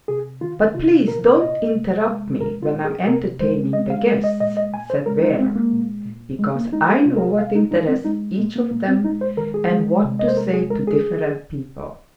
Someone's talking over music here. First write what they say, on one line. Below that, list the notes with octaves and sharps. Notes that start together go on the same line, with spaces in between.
"But please don't interrupt me when I am entertaining the guests," said Vera, "because I know what interests each of them and what to say to different people."
C3 G#4
D#3 F4
C3 F4
A#2 A#4
A#2 D#5
C3
G#3
A#2 A#4
F4
A#2
G#4
C3 A#4
G#3 C5
G#3 D#5
F5
G#3 A#4
D#5
A#2 D#5
D#5
A#2 G#5
C5
G#3 A#4
D#4
G#3 C4
A#3
A#2
A#2
G#3
A#3
G#3 D#4
G#4
C3 F4
A#4
G#4
G#3 F5
D#4
A#2 D#4
C4
G#3 D#4
A#2 G#3
A#3
A#2 A#3
C4
G#3 D#4
C5
D#3 A#4
G#4
G#3
C3
D#5
C5
G#3 A#4
G#4
G#3 A#4
G#4